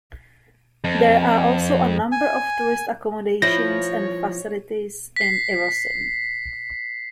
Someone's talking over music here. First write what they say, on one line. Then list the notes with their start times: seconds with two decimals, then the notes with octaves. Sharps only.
There are also a number of tourist accommodations and facilities in Irosin.
0.84 F2
2.12 G#5
3.42 F3 E4 C#5 A#6
5.16 B6 C7